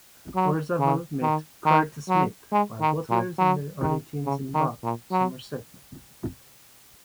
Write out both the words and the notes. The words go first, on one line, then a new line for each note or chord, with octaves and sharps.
Orzabal met Curt Smith while both were in their early teens in Bath, Somerset.
F#3
C#3
D#3
D#3
F#3
G#3
D#3
A#2
F#3
D#3
C#3
D#3
A#2
F#3